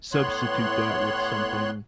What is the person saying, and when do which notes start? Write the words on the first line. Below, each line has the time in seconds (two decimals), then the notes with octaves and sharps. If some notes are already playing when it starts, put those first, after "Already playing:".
substitute that with something
0.12 A2 B3 C#5 C6 F#6